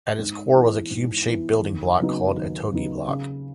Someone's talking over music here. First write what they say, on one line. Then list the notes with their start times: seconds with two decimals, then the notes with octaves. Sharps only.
At its core was a cube-shaped building block called a "Tog'l Block".
0.18 G#2
0.55 E3 B3
0.90 G#2
1.27 E3 B3
1.63 D#2
1.99 C#3 F#3 B3 D#4
2.35 D#2
2.71 C#3 F#3 B3 D#4
3.08 C#3